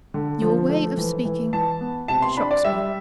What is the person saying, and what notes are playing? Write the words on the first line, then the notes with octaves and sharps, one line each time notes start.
'Your way of speaking shocks me.
D3
F3
A3
E3
E3
E3 A5
B3
C3 A5
C6
D4 B5
D5
G3 E5